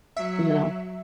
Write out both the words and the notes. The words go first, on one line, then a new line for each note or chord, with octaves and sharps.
You know?
F#3 E5